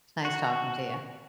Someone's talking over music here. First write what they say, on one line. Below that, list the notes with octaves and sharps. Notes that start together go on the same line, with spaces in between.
it's nice talking to you
F#4